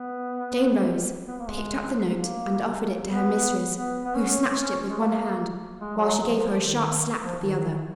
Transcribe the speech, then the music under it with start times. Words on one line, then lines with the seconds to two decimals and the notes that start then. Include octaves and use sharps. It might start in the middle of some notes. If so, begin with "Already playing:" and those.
Jane rose, picked up the note and offered it to her mistress, who snatched it with one hand, while she gave her a sharp slap with the other.
Already playing: B3
1.28 B3
1.38 A#3
1.49 G#3
2.13 A#3
3.09 B3
3.73 B3
4.04 B3
4.15 C#4
4.26 C#4
4.89 G#3
5.00 A#3
5.80 G#3
5.95 F#3
6.16 F#3
6.28 F3
6.59 D#3
7.24 F3
7.40 D#3
7.55 D#3